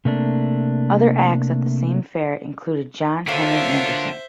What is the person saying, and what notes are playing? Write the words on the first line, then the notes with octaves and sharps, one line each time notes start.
Other acts at the same fair included John Henry Anderson.
C3 A3 A#3 D4
D3 F#3 A3 A#3 F4 C5 E5 F5